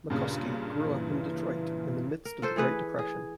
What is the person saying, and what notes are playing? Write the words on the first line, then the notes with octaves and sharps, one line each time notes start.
McCosky grew up in Detroit in the midst of the Great Depression.
G2 A#2 C#3
E3
A#4
F4 A4 C5
E3 A3 G#4 B4
G#4